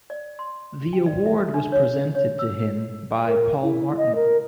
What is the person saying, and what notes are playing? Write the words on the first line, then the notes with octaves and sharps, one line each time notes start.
The award was presented to him by Paul Martin.
D5
C6
G5
D5
E5
D4
C#5
C#5
E6
A#4
E4
D#5
A#4